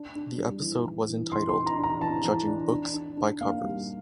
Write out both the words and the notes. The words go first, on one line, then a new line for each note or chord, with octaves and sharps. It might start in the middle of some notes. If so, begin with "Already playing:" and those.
The episode was entitled "Judging Books by Covers".
Already playing: D4
D4
G3
E3
E3
E3
E3 C6
C6
E3
A#5
D4
A#5
E3 A5
E3
D4
D4
D4
D4
A#3 F5
G3